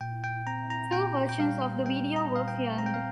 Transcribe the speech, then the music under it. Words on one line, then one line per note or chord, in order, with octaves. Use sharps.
Two versions of the video were filmed.
A#2 G5
G5
C4 A#5
A#5
A#2 G5
G5
G3 F5
G3 G5
A#5
A#2 F5
G5
C4 A#5
G5
F5